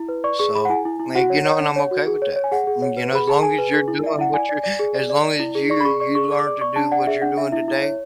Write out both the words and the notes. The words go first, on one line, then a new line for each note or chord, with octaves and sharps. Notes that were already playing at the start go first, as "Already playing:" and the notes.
So, may you know, and I'm okay with that. You know, as long as you're doing what you're as long as you're you learn to do what you're doing today,
Already playing: E4
B4
D5 C#6
G#4 C#6
G#4 B5
F#5
E4 G#5
E4
E4
F#4 F#5
C#5
C#5
D4
C#5
F#4
G#4
C#5
C#5
G#5
G#4 F#5
G#4
C#5
B4
G#4 B5
G#4 A5
G#4 G#5
B4
G#4
E4
D5 E5
E4 F#5
D5 G#5
D5
D5
G#4
D5
D5
D5
E4
G#4
D5 C#6
B5
G#4 C#6
D5 C#6
G#4 C#6
D5
D6
D5
D5 C#6
D4 A5
D5 F#5
G#4 E5
D4 F#5
D4 E5
E4 E5
E4
C#5